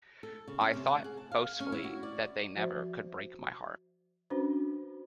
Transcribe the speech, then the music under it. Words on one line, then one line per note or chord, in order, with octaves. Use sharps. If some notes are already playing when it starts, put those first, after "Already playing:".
I thought, boastfully, that they never could break my heart.
A4
C#3
C#4
C3
F#5
G#4
A5
F5
C#4
E4
F#4
D5
F3 F#4 C5 E5
C#4 D4 F#4 B4 C5